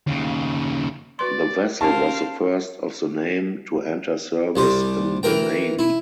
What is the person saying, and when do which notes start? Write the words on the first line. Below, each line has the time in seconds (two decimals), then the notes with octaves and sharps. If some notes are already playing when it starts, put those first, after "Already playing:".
The vessel was the first of the name to enter service in the navy.
0.07 D#2 C#3
1.19 F#4 B4 D5 C6
1.81 C#4 A#4 C5 F5 A5 C#6
4.56 C2 G3 C5
5.23 E3 A#4 G5
5.79 E4